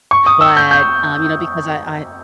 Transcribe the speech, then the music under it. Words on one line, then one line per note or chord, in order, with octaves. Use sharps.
but, um, you know, because I I
C#6
D#6
E6
G6
G6